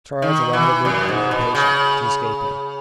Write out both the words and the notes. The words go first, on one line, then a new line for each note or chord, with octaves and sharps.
Charles allowed a movement of impatience to escape him.
D#3
E3
F#2
G#2
B2
C#3